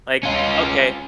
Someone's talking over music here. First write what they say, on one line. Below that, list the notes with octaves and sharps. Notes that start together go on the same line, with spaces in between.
like, okay.
C#4 F4